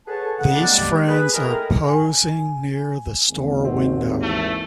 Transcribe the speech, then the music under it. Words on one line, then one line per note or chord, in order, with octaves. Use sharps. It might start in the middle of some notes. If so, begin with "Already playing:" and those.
These friends are posing near the store window.
G#4 A4 B4 C#5 F#5 A5
F2 C#3 F#5
C3 G3 G#3 A#3 C4 D4
G#4 B4
G#3 A3 C4 E4 F4 A#4
G#5
G#1 D#2
C4 F#4 D#5
E3 A3